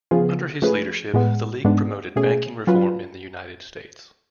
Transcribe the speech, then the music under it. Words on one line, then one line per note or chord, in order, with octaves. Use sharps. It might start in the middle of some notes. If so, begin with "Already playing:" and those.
Under his leadership the league promoted banking reform in the United States.
C#3 F3 B3 F4 G#4
F3 A3 C#4 G#4 B4
A2 G#3 B3
G#2 G#3 B3 D4
B2 A3 C#4 G#4
F#3 C#4 F4 B4